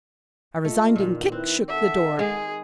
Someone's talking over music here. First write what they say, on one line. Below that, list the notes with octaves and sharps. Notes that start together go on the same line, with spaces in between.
A resounding kick shook the door.
A3 F4 D#5
A#2 D#3
C4 E4 B4 F#6
A4 E5 F#5 A5
D#3 G#3 G#4